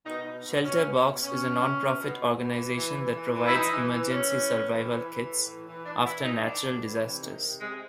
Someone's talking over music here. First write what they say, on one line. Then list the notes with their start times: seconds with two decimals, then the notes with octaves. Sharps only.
Shelter Box is a non-profit organization that provides emergency survival kits after natural disasters.
0.06 B2 D#4
0.25 B2
0.45 B2
0.65 B2 C#4
0.83 B2
1.03 B2
1.22 B2 C#4
1.41 B2
1.61 B2
1.80 B2
2.00 B2
2.19 B2
2.38 E3
2.57 E3
2.77 E3
2.96 E3
3.16 E3
3.35 E3
3.47 E4
3.54 E3 D#4
3.73 E3
3.93 E3
4.12 E3 C#4
4.31 E3
4.50 C3
4.70 E3
4.90 E3
5.09 E3
5.28 A2
5.47 E3
5.67 E3
5.85 E3 D4
6.06 E3 E4
6.25 E3 D#4
6.44 E3 D4
6.63 A2
6.83 E3
7.01 C3
7.21 D#3
7.40 C3
7.60 C3 G#3